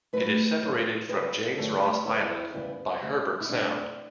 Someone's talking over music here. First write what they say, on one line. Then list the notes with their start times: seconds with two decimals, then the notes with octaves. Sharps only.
It is separated from James Ross Island by Herbert Sound.
0.13 A2 F#3 A3 B4
0.61 A2 F#3 B3
1.09 E2 C#3 G3 B4
1.57 G2 D3 F#3 A3 A4
1.81 G4
2.05 F#2 C#3 G3 B3 E4
2.53 E2 C#3 G3 B3
3.01 D2 C#3 G3
3.40 E4
3.49 B2 G3 B3 D4